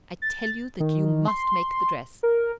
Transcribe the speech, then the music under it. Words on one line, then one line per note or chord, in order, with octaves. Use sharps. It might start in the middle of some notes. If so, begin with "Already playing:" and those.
I tell you that you must make the dress.
A6
D#3
C6
A#4